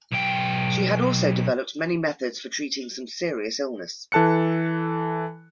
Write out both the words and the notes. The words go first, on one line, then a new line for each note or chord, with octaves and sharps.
She had also developed many methods for treating some serious illness.
B1 G5
E3 A4 A5 F#6 C#7